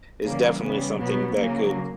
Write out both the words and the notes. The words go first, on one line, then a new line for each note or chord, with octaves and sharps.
is definitely something that could,
C#3 E3 G3 A#3
C#3 G3 B3
B2 F#3 B3
C#3 F#3 A#3